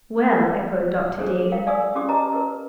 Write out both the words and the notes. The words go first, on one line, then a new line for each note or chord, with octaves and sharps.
"Well," echoed Dr. Dean.
D4 G#4 A4 C5
A#4 F5 G5
D5 F5 G#5 D#6 E6
C#4 F#4 G4 D6 D#6
B4 D#5 A5 A#5
A#4 B4